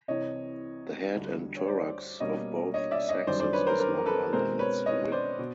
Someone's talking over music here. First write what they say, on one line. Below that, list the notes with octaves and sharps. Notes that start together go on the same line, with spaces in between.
The head and thorax of both sexes is longer than its width.
C2 C3 E3 C#5 D#5
D2 D3 G3
C#5
C5 D5
B2 G3 A#3 C#4 C#5 D#5
C#5 D#5
D5 E5
C#5 D#5
F#2 D#3 G3 C5 D5
C5 D5
B4 C#5
A#4 C5
A#4 C5
A#4
A4 B4
B2 G#3 C4 A#4 C5
B4 C#5
C#5 D#5
C5 D5
B2